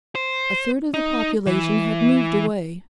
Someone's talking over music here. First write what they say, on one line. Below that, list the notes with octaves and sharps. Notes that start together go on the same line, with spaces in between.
A third of the population had moved away.
C5
D#4
E3